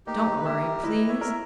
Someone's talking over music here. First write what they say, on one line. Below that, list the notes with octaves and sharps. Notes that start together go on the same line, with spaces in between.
Don't worry, please.
A#3 D#4 G4
B4
G4 A#4 E5
E4 B4 D#5
C#5 E5
A#4